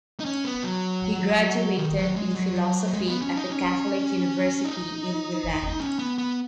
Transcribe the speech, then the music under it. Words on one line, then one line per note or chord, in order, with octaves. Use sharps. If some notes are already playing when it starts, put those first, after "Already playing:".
He graduated in philosophy at The Catholic University in Milan.
D#4
C#4
B3
F#3
D#3
F#3
G#3
F#3
G#3
B3
C#4
D#4
C#4
D#4
C#4
B3
B3